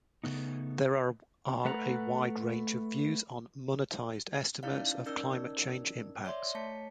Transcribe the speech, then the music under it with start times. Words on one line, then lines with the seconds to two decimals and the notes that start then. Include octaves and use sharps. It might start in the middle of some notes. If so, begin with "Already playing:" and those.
There are a wide range of views on monetized estimates of climate change impacts.
0.24 C#3 A3 B3 D#4
1.65 A3 B4 F#5 A#5
4.63 C#4 D#4 E4 D5 F5
5.06 C#4 D#4 A#4 D5 E6
6.25 C#5 D5 E5 C6
6.55 A3 C#5 A5 B6 C#7